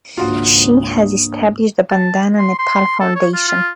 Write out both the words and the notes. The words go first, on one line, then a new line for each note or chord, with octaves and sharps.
She has established the Bandana Nepal Foundation.
G#1 C#2 G#2 A#3 D4 F4 F#4 D#6
A5
C6
C6
A4
C#5
F4
F4